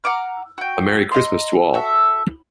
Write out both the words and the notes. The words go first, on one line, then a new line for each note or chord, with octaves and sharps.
A Merry Christmas to all!
F#5 A#5 D6 F6
F#4 G5
D#5 F5 A#5 C6
F#4 A4 E5